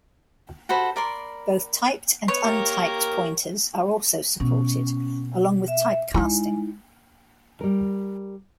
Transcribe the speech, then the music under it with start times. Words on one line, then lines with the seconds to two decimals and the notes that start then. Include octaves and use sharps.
Both typed and untyped pointers are also supported, along with typecasting.
0.69 F#4 A4 C5 B5
0.96 A#4 D5 B5 C6
2.28 B3 C#5
2.44 A#3 G4 A#4
4.40 B2 C#4
5.68 E5
6.14 G#3 D#4 E4
7.61 G3 A#4